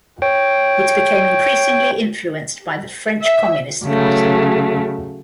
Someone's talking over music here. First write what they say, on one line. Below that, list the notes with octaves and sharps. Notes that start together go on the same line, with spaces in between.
It became increasingly influenced by the French Communist Party.
C#5 G5
E5
C#3 F#3 A3